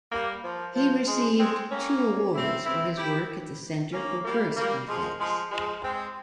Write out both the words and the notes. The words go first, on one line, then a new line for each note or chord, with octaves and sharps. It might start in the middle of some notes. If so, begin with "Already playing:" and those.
He received two awards for his work at the Center for Birth Defects.
G3 A#3
F3
F3
F3 G#3
G#3 C4
A#3 C#4
C4 E4
C4 E4
E4 G4
A#3 C#4
G3 A#3
G3 A#3
F3 G#3
F3 G#3
F3 G#3
G#3 C4